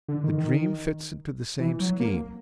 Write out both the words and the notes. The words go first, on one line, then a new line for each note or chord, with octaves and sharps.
The dream fits into the same scheme.
D3
D#3
D#3
E3
F#3
A#3